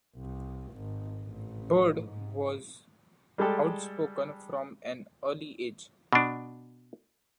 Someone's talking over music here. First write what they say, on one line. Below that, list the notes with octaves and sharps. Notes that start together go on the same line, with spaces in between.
Bird was outspoken from an early age.
C2
G#1
A1
G#2
G3 G#3 G4 A4
B2 D4